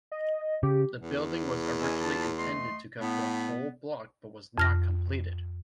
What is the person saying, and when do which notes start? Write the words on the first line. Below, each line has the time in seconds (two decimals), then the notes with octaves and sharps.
The building was originally intended to cover the whole block but was not completed.
0.12 D#5
0.63 C#3 G4
1.01 E2
1.80 D#5 G#5 E6
2.00 F4 A5
2.38 A3 D#5 C6
3.00 A2 B3
4.58 F2 F6 A#6